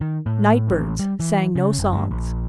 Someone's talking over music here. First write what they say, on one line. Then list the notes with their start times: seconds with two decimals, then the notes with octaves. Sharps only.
Nightbirds sang no songs.
0.01 D#3
0.26 A2
0.68 A1
0.99 G3
1.20 E3
1.55 C#3
1.79 F#1
1.93 G2
2.11 A#1